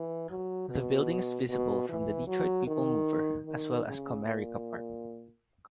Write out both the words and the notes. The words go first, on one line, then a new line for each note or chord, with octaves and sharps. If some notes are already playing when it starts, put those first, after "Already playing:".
The building is visible from the Detroit People Mover, as well as Comerica Park.
Already playing: E3
F#3
B2
B2
E3
F#3
D#3
D#3
C#3
A#2